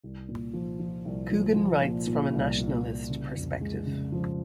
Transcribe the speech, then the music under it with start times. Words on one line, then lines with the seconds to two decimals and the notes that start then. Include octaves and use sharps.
Coogan writes from a nationalist perspective.
0.04 C2
0.29 A#2
0.54 F3
0.79 F3
1.05 C2
1.31 F3
1.56 F3
1.82 A#2
2.07 A#2
2.33 C2
2.59 A#2
2.84 C2
3.10 C#3
3.35 F2
3.61 G#3
3.86 C#3
4.12 F3